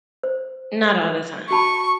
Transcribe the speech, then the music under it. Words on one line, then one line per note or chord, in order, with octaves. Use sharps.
Not all the time.
C5
F#4 A5 B5 C#6